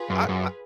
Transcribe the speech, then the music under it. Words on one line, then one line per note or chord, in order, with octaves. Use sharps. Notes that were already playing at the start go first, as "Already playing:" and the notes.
I I
Already playing: F4 G#4 B4
F#2
F#2